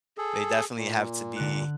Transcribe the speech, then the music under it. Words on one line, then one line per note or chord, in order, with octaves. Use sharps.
they definitely have to be
G#4 A4
A#2
D3 F#6